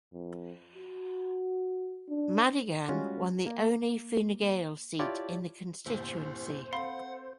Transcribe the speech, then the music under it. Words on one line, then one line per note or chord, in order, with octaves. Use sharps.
Madigan won the only Fine Gael seat in the constituency.
F2
F#4
D4
G3 G#3 C#4 F4 F#4
A#3
E4 F4 G4 C#5 D5 A5
G1 E2 A#2 E4 G4 C5
C4 A4 F5 F#5 B5 C6